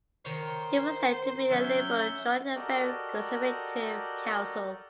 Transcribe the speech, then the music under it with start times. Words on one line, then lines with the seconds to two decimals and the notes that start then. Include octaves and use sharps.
He was said to be a liberal joining a very conservative council.
0.25 D#3 C5 C#5
1.51 F#3 C#4 E5 G6
2.56 F#4 G4 A4 A#4 D5 D#5